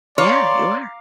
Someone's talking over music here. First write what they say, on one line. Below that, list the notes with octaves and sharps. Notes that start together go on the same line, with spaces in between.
Yeah, you are.
C#5 D5 F5 A#5 C6 D6